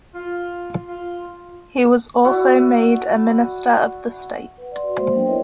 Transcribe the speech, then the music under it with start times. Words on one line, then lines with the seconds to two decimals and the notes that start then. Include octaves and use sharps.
He was also made a minister of the state.
0.14 F4
0.88 F4
2.24 E4 F#4 C#5 D5
4.58 B4 F#5
4.71 D5 C6
4.83 F#4
4.95 G#3 A#3 C5 E5
5.14 F#3 B3 D4 A#4 C5 G5
5.27 E4 F4 B4 C#5 D#5